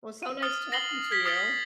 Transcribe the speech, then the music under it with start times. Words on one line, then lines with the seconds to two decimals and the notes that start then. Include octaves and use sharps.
Well, so nice talking to you.
0.23 D#7
0.42 D#6 F6 A6 G7
0.72 A#6 C7 F#7 G7
1.11 G#6 B6
1.26 D#6 F6 A6 G7